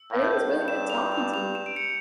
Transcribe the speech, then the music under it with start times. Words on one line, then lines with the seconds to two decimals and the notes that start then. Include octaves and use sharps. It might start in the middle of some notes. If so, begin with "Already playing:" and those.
But it was really good talking to you.
Already playing: E6
0.10 A2
0.24 G6
0.39 G2
0.68 E7
0.90 F7
1.12 F7
1.34 F7
1.55 E7
1.66 D7
1.76 C#7